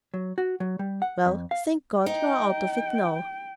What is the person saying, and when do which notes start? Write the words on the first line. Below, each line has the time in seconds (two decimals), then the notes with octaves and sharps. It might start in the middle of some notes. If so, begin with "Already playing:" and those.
"Well, thank God you're out of it now!"
0.14 F#3
0.38 F#4
0.60 F#3
0.79 G3
1.02 F#5
1.26 F2
1.51 F5
2.06 D#4 G5